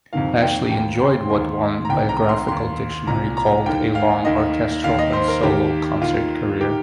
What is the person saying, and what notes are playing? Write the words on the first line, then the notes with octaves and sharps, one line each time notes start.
Ashley enjoyed what one "Biographical Dictionary" called "a long orchestral and solo concert career".
F2 C3 D#3 F5
G5
D#2 D#3 G5
C6
D#2 D#3 C6
A#5
C2 C3 D#3 G5
A#5
C6
D#2 D#3 C6
C2 A#2 A#5
A#5
D#2 D#3 G5
F5
D#2 D#3 D#5
D#2 D#3 F5
D#5
C5
A#4
D#2 D#3 G4
D#2 D#3 F4
D#3 G4